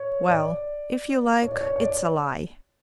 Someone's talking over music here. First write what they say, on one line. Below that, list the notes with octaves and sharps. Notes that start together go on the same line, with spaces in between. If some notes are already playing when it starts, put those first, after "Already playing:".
Well, if you like, it's a lie.
Already playing: C#5
D5
C#5
D5
C#5
C#5
D5
C#5